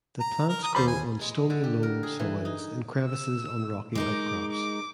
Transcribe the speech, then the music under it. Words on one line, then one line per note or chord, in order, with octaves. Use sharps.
The plants grow on stony loam soils in crevices on rocky outcrops.
A#5
A#4
A#5 D#6
D#2 G3 C5 B5
G#5
G#3
D3
G4
A#4
G#4
E3
D#4
E6
G#3 D#4 A#4 D6
D6